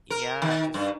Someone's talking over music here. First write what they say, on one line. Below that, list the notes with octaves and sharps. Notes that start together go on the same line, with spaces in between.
Yeah, just
A#4
D#3
G2